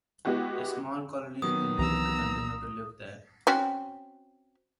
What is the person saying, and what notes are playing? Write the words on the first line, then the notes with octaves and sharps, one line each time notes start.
A small colony is believed to continue to live there.
G#3 B3 E4 F#4 G4
D#3 F#3 B3 D#6
C2 E3 A#5 E6
C4 C#4 F#4